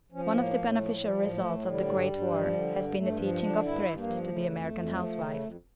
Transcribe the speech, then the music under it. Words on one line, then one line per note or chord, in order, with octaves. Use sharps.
One of the beneficial results of the Great War has been the teaching of thrift to the American housewife.
F3 C#4
C#4
A2 A#3
A2
A3
F3
F3 G3
A2 A#3
A3
A2
D3 G3
G2
G2
F3
D3
G2
G2 A3
F3
D3 D4
G2 E4
G2
A#3
F3
A#3
C#3 A3
F2
F2
F3
C#3
F2